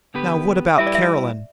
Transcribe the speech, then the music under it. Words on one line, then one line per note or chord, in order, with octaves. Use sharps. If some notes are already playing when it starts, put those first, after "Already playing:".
Now what about Caroline?
D3 B3 G4 B4
G3 E4 G4 B4 E5
D5
E5